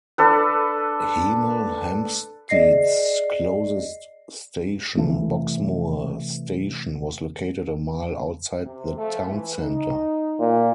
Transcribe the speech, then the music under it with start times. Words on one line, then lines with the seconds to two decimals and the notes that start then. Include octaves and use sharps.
Hemel Hempstead's closest station, Boxmoor station, was located a mile outside the town centre.
0.18 D4 A4 B4
2.49 G#4 D5 D#5 A#6 C7
4.97 C3 E3 A3
8.62 C3
8.97 F3 A3
9.30 E3
9.59 D#4
10.39 A#2